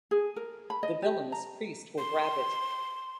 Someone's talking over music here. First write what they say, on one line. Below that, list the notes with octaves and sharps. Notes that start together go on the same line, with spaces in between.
The villainous priest will grab it.
G#4
A#4
B5
D#5
G4
A#5
C6